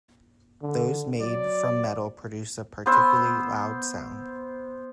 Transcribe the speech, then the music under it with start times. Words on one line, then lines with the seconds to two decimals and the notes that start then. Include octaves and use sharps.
Those made from metal produce a particularly loud sound.
0.62 D3
1.21 F#3 D5
2.86 B3 C5 E6